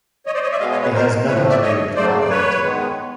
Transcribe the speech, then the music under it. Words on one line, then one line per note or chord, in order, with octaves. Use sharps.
It has nothing to do with her ability.
C#5 D#5
C5 D5
C#5 D#5
D5 E5
B2 G#3 B3 D#5 F5
C#5 D#5
B4 C#5
A#4 C5
A2 F3 A3 B4 C#5
D5 E5
C#5 D#5
C#3 F#3 A3 C5 D5
D5
B4 C#5
D#3 G#3 B3